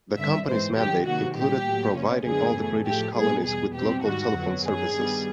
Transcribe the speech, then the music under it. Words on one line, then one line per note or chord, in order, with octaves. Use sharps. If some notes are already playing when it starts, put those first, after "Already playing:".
The company's mandate included providing all the British colonies with local telephone services.
G2 D3 G3 C4 E5
G#2 E3 G#3 C4 C5
F#2 D#3 F#3 G4
C3 D#3 F#3 A#3 F#4
A#2 G3 C4 G4
A2 F#3 A#3
C#3 F3 A#3 C#4
F#2 D3 F3 G#3 B3 G#4
C#3 E3 A3
A2 F3 A3 G4
A#2 G3 B3 G#4
E2 B2 G3 G#4
B2 G3 C4 G4
G#2 D#3 G3 F#4
F2 D3 F#3 B3
F#2 D#3 F#3 G#4
G2 D#3 G3 B3